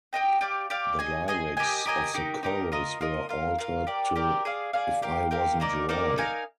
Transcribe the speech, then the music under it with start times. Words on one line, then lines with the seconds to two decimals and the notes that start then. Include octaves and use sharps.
The lyrics of the chorus were altered to "If I wasn't Roy".
0.13 G4 C5 D#5 G5
0.41 G4 D5 F5
0.70 G4 D5 F5
0.99 G#4 D#5 G#5
1.28 G#4 D#5 G#5
1.57 G4 A#4 D#5 G#5
1.85 G4 A#4 D#5 G#5
2.14 D#4 G4 A#4
2.43 D#4 G4 A#4
2.72 F4 A#4 D#5
3.01 F4 A#4 D#5
3.29 F4 A#4 F5
3.58 F4 A#4 F5
3.87 G4 A#4 D5
4.16 G4 A#4 D5
4.45 G#4 D5 F5
4.73 G#4 D5 F5
5.02 G4 A#4 F5
5.31 G4 A#4 F5
5.60 A#3 D#4 A#4 D5
5.89 A#3 D#4 A#4 D5
6.18 D#4 A#4 F5 G#5